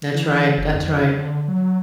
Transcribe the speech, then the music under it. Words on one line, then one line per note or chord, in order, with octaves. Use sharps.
That's right, that's right.
E3
F#1
F2
D3
F#3